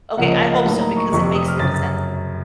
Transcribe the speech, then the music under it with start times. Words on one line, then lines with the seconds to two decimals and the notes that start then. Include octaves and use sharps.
Okay. I hope so because it makes no sense.
0.17 C#2 C#3 F3 A#3 F#5
0.29 D#5
0.41 F5
0.53 F#5
0.64 A2 F#3 A#3 D#4 A5
0.81 A#5
0.97 C#6
1.11 F1 F2 C3 C#6
1.23 C#6
1.35 D#6
1.48 F6
1.59 F#2 C#3 F#3 A6
1.74 A6